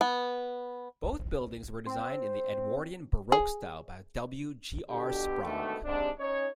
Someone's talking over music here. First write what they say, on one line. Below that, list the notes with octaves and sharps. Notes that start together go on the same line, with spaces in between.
Both buildings were designed in the Edwardian Baroque style by W. G. R. Sprague.
B3
C4
G#4
B2 D3 G4
G#2 B2 D3 D#3 A3
G#2 C3 D4
C#4 D#4 C#5